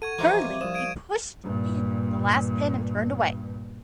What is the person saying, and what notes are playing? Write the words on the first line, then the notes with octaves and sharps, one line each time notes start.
Hurriedly he pushed in the last pin and turned away.
A4 F#5 C#6 G#6 D#7
B2 E3 F3 A#3 C5 E5 A#5
C4 E5 D6
C2 F3 C5 F5 D#6 E7
G#6 D7 D#7
G2 A#2